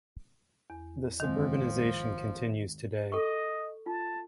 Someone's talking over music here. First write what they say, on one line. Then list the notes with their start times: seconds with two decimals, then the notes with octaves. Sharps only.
This suburbanization continues today.
0.70 E2
1.20 F#2 D#3 F3 G#3 C4
1.62 G#1
3.12 A4 D#5 C#6
3.86 F4 A5